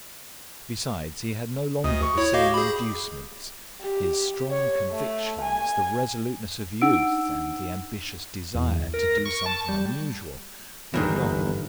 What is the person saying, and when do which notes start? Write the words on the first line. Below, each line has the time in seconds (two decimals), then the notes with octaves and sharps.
Besides, he had no longer the same inducements; his strong convictions, the resoluteness of youth, and the ambitious desire to do something unusual were gone.
1.84 D2 D#5
2.03 C#6
2.17 E4 C#5
2.33 F#4 G4 D#5 F5
2.54 G#4 B5
3.82 G4
4.50 C#5
4.91 A3
5.41 G#5
6.81 D4 D#4 F#5 E6 D7
8.55 E2
8.94 A#4
9.26 C#6
9.46 A5
9.69 G3
10.94 G1 E2 G#2 D#3